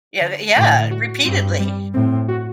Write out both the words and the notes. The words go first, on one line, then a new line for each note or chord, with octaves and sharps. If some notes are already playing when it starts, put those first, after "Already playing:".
Yeah, th yeah, repeatedly.
D3
A2 D3
F#4
G2 C4
G3
A2 C4
F#4